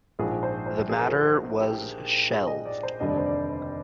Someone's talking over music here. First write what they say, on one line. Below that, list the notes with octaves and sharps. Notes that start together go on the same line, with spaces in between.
The matter was shelved.
A#1 G#2 F3 G#4
C5
C5
G#4
A#4
G#4
G4
G#4
D#5
D5
C5
F1 D#2 D3 G3 D4 D#5
D5
C5
D5